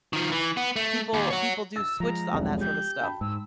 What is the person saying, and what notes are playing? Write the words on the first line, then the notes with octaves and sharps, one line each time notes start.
people people do switch on that sorta stuff.
D#3 F3
E3
B3
A3
D#2
C#5 F#5
E6 A6
F3 G#3 A#5
E1 C2
G4 G6
G5 A5 B5
G#2 E6